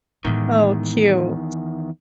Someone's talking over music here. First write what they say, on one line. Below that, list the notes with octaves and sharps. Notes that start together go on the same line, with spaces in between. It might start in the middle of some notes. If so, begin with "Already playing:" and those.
Oh, cute.
E2 A2 D#3 G#3